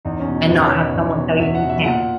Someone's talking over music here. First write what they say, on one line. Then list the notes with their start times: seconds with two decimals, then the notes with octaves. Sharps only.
and not have someone tell you you can't.
0.05 E2 D#4
0.20 C#4
0.27 B2
0.35 D#4
0.50 E2 B4
0.65 C#5
0.72 B2
0.80 D#5
0.94 E2
1.18 B2
1.39 E2 E5
1.55 F#5
1.63 B2
1.69 E5
1.84 A#2 F#5